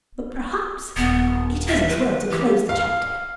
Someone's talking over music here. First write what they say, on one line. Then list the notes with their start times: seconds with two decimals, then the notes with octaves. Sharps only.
But perhaps it is as well to close the chapter.
0.97 D#1 B3
1.68 E5
1.89 B4
2.30 E3 G4
2.69 F5